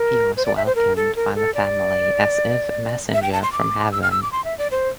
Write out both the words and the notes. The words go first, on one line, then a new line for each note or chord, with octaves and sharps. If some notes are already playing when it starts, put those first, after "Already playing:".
He was welcomed by the family as if a messenger from heaven.
Already playing: A#4
C5
D5
E5
C5
A#4
A4
A#4
A4
D5
E5
G5
A5
C6
D6
E6
F6
E6
D6
C6
E5
D5
C5